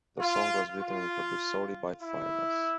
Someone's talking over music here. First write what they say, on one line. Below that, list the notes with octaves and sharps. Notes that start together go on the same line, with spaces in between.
The song was written and produced solely by Finneas.
F4
F4
E4